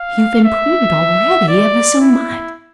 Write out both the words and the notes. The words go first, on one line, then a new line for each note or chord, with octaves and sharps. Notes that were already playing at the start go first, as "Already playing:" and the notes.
You've improved already, ever so much.
Already playing: F5
E5
D5
E4